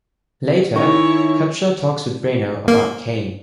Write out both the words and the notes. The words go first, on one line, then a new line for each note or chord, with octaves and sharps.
Later, Cutshaw talks with Reno about Kane.
D#3 C#4 D#4 E4 C#5 C#6
A#3